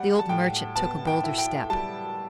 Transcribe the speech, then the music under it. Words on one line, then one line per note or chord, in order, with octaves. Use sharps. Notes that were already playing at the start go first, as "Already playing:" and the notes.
The old merchant took a bolder step.
Already playing: G3 F#5
A5
A2 G5
B3 A5
G5
E4
G5
G3 A5